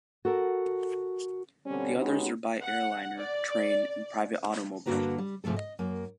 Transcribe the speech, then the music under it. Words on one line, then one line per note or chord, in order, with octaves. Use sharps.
The others are by airliner, train, and private automobile.
F#4 A4 A#4
B2 D3 G3 C4 C#4
G#3 B3 C#4 D#4 F#4 G4
F#5
D5
G2 D3 A#3 F#4 B4 A#5
G3
G#2 C3 F3 A3 A4
D#5
F#2 A#3